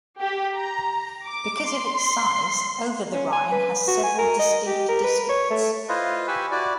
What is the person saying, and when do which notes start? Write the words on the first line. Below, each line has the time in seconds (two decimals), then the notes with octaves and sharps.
Because of its size, Over-the-Rhine has several distinct districts.
0.21 G4
0.58 A#5
1.26 D6
1.73 C6
3.13 C#4
3.32 G#5
3.52 B4
3.87 F#4
4.03 G#5
4.19 A#4
4.39 D#5
4.67 G4
4.89 A#4
5.04 B4
5.29 C#5
5.50 A3
5.89 E4 F4 B4 C5 D#5 F5
6.28 G4 B4 G#5 B5 C#6 E6
6.51 E4 F#4 D5